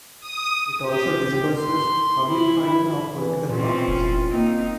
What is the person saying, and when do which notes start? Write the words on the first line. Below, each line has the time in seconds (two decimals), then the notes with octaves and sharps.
It also disburses public funding of political parties.
0.21 D#6
0.86 G4
1.58 C6
2.29 E4
3.13 E3
3.50 A#2 E3 C4 C#4 F4
3.88 F1
4.31 A#3 C4 D#4